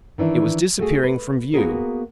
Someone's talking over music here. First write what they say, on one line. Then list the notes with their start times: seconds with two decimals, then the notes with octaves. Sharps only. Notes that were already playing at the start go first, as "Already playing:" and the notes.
It was disappearing from view.
0.18 D#3 E3 D4 E4
0.79 A3 F#4 G#4
1.03 B4
1.54 A#3 B3 C#4 F#4 G#4 A#4